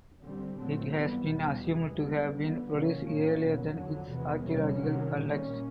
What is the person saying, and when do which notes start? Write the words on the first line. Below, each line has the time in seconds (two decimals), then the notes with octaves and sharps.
It has been assumed to have been produced earlier than its archaeological context.
0.22 D3 G3 C4
0.58 A#2 F#3 A3 C4
0.92 G#2 E3 G3 B3
1.27 E2 B2 G3
1.63 C3 E3 G#3
1.98 D3 G3 B3
2.34 D3 G3 B3
2.68 C3 D#3 F#3 A#3 C#4
3.03 A2 F3 A#3 C#4
3.39 E2 B2 F#3
3.74 F2 D3 F#3
4.09 E2 C3 E3 G#3 B3
4.44 C3 E3 G3 A#3 C#4
4.79 C3 D#3 F#3
5.14 A#2 G3 A#3 C#4